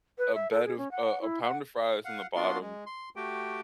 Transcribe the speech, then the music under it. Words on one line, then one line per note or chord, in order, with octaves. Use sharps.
a bed of a a pound of fries on the bottom,
B4
E5
A4
G#4
C#4
F#5
F#5
E4
F#5
F5 F#5
B3 D4 F4 F#4 C6
G#3
C6
A3 F#4 G4 G5